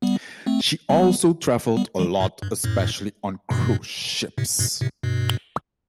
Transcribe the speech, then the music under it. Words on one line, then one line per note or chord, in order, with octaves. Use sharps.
She also traveled "a lot, especially on cruise ships".
G3 B3
A3 C4
G3 B3
G3 B3
E3 G3
F#2 A2
G2
F#2 A2
G2 B2
A2 C3
G2 B2
A2 C3
G2 B2